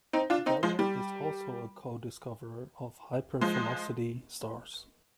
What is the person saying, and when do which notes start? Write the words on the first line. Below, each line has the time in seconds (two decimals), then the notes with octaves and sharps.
Geller is also a co-discoverer of hypervelocity stars.
0.13 C4 D#4
0.30 D4 F4
0.46 C4 D#4
0.63 F3 G#3
0.79 G3
3.41 F3 G#3